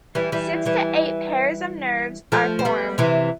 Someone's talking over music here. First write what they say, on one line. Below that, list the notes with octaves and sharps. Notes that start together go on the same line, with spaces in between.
Six to eight pairs of nerves are formed.
E3 G3
E3 G3
E3 G3
F3 A3
C4
G3 B3
C3 E3